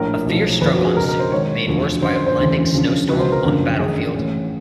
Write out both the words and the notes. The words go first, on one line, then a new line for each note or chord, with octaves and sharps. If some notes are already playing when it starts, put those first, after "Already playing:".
A fierce struggle ensued, made worse by a blinding snowstorm on the battlefield.
Already playing: A#1 A2 F3 A#4
B1 A2 F3
G1 F2 D3 F3 B4
F#4
G#4
C#2 B2 A#4
A#4
C5
G#1 G#2 D#3 C#5
E1 D2 D3 F3
G1 F#2 D#3 C5
C5
C5
E1 D2 C#3 E3
D2 C#3 F3
C#2 B2 B4
C5
A#4
F#1 F#2 D3 F3
A1 G2 D#3 G#4
A1 A2 E3